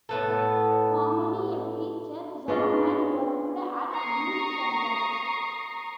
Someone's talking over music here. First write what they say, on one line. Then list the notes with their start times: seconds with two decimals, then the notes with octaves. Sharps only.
Formerly a teacher, Zaman worked at youth centres.
0.09 A2 B3 A4
2.48 B3 C#4 D4 F4 G#4 D#5
3.92 A#5 C#6 D#6 C7